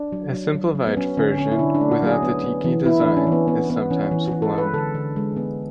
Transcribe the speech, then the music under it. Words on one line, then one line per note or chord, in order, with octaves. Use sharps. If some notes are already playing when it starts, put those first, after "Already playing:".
A simplified version, without the tiki design, is sometimes flown.
Already playing: D4
F#3
F#3
F#3
F#3
B3
F#3 C#4
D3 C#4
D3 C#4
E4
D3 D4
D4
A3
F#4
F#3 G#4
B3
B3
E3
B3 E4
E3 D4
C#4
E3
B3
B3
B3
E3 C#4
E3
E3 F#4
A4
G#3 B4
D3 A4
D3
G#3
B3